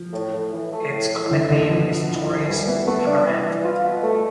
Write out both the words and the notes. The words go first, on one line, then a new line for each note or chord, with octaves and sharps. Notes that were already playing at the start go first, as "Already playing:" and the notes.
Its common name is Torrey's Amaranth.
Already playing: F3
A2
A2
E3
A3
A2
A2
D3 E4
C2 D3
B2 F3
B3
E4
C2
E3 G3
E3 B3
A3 B3
D4
E3
E3
F4
B2
A3